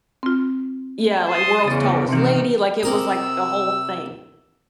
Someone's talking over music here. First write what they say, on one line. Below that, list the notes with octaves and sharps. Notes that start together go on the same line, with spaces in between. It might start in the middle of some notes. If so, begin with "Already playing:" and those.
Yeah, like, world's tallest lady, like, it was, like, a whole thing,
C4 F4
A5 C6 D#6
E2 C#3 A6
C3 D#3 E3 C4
C3 A#4 D#6 E6